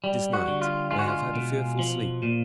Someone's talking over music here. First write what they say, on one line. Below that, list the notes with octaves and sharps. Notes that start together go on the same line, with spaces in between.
This night I have had a fearful sleep.
G3
F#4
D3
F4
G#3 F4
F#4
F4
B2
F3
A#2